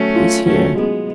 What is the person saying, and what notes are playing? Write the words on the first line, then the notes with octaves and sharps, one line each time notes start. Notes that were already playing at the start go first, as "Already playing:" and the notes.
He's here.
Already playing: F#3 A3 C#4
F4
F#3 A3 C#4
G#3 B3 G#4